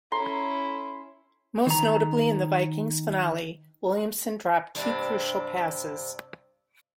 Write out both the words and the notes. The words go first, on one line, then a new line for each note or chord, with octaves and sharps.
Most notably in the Vikings' finale, Williamson dropped two crucial passes.
C#4 E4 A4 A#5 C6
D#3 A#5
G2 C3 D4